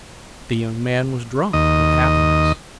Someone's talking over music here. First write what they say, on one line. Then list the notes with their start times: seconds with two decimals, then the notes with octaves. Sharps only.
The young man was drunk with happiness.
1.53 D#2 D#5